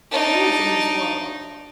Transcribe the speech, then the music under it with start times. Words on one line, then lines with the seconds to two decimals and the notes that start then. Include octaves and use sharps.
"Who is in this world?"
0.12 D4 D#4